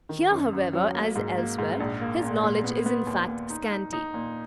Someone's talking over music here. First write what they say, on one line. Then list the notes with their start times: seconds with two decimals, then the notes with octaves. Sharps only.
Here, however, as elsewhere, his knowledge is in fact scanty.
0.09 D#3
0.31 F#2
0.53 F#2
0.73 F#3
0.94 A#3
1.16 G#2
1.38 A#3
1.58 G#2
1.80 A#1
2.01 A#3
2.23 A#2
2.43 A#2
2.64 B3
2.86 B3
3.07 D#2
3.28 D#2
3.50 D#4
3.70 D#4
3.93 D#4
4.14 A#2